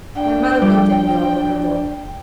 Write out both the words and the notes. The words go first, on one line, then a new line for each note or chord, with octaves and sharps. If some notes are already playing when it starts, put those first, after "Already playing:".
My mother looked at me over her book.
D4 G5
F3 G3